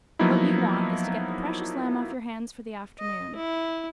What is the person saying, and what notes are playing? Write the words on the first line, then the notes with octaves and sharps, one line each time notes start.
What you want is to get the precious Lamb off your hands for the afternoon.
F3 F#3 A#3 B3 D#4 E4
D#5
E4